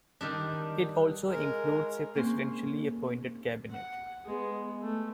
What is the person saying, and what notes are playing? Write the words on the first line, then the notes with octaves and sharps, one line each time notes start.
It also includes a presidentially appointed cabinet.
D#3 G3 D4
G#3 A#4
G#2 A#3 C4 C#4 C6
F#5
G#3 B3
A3